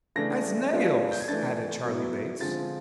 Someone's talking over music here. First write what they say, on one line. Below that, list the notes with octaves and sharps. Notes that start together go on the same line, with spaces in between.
'As nails,' added Charley Bates.
C#3 E3 A3 D4 A#6
F3 G#3 B3 D4 F4
G6
G#6
E3 A3 D4 A6
B2 F#3 B3 E4
D3 F3 G#3 C4 F4 A6